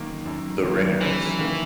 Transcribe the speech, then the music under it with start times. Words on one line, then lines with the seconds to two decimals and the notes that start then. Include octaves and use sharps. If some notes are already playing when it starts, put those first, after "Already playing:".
The ringers.
Already playing: F#2 D#3 A#3
0.26 F#2
0.64 D#3 A#3
1.01 F#2 E3
1.39 D#3 A#3